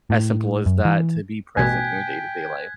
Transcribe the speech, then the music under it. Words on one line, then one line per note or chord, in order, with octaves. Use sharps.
as simple as that to be present in your day-to-day life,
A2
F#2
E3
A1 B2 G5 G#5 F#6 G#6 B6